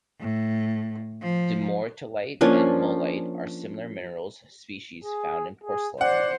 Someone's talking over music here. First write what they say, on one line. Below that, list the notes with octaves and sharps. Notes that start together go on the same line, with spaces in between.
Dumortierite and mullite are similar mineral species found in porcelain.
A2
F3
F3 A#3 C#4 D4
G#4
G#4
C5 D5 F#5